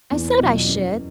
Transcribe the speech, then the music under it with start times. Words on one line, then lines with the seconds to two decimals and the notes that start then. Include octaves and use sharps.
I said I should.
0.11 E2
0.39 B2 F#3
0.67 F#2